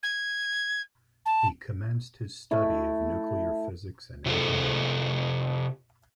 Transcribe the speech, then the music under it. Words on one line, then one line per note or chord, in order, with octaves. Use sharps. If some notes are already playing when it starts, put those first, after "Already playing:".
He commenced his study of nuclear physics and engineering.
G#6
A5
A3 E4
C3 E4 F4 G#4 A4